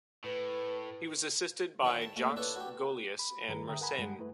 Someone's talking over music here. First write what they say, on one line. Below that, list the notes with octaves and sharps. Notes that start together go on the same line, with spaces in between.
He was assisted by Jacques Golius and Mersenne.
A2 B4
D#3 E4 C#5
A5
A#2 A3
D4 E4 A4 B4 C#5
F#4 G4
B5
G2 D#3 G#4 B4 A#5
D3 E5 G5 A#5 D#6
A#4 F#5 G#5 A#5 B5
G2 G#3 F#5
A3 E4 B4